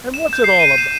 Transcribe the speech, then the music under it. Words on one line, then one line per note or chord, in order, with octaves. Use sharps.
"And what's it all about?"
E7
G6
C7
D#7
E7